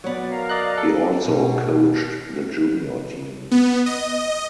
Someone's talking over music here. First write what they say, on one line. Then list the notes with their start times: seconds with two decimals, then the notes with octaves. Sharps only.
He also coached the junior team.
0.04 F#3 B3 D5
0.29 A#4 F5 A#5
0.49 D5 D#5 F#6
0.78 A4
1.25 B2
3.51 B3
3.86 D#5